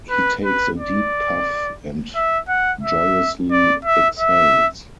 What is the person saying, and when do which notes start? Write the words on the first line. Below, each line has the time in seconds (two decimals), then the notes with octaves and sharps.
He takes a deep puff and joyously exhales.
0.10 B4
0.45 B4
0.79 D5
2.16 E5
2.49 F#5
2.83 E5
3.52 D5
3.85 E5
4.19 E5